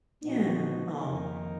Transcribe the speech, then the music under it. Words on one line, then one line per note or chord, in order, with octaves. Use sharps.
Yeah, aw.
A#2 F3 B3 D#4 F#4
F2 D#3 A#3 D#4 A#4